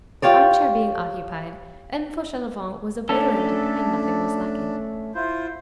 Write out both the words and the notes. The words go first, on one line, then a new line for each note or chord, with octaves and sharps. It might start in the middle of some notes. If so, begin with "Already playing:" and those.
The arm-chair being occupied, M. Fauchelevent was obliterated; and nothing was lacking.
F4 G4 C#5 D5
A3 C#4 D4 A4
E4 F4 C5